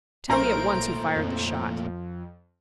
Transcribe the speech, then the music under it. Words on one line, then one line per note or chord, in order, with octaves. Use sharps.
"Tell me at once who fired that shot?"
B1 A#2 A3 A#4 C5 A#5 D7
F2